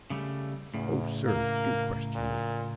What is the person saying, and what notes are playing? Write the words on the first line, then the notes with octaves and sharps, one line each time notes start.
"Oh, sir, do question me!"
C#3 G3 A3
E2 A2 C#3
A#3
A#2